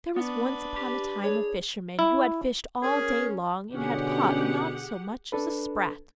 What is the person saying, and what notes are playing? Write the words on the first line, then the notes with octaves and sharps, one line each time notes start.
There was once upon a time a fisherman who had fished all day long and had caught not so much as a sprat.
B3 D4 B4
G4
G#4 C#5
E4
C#4 G#4 A#4
B2 D3 C#4 G4 G#4 F#5
D4 A4 B4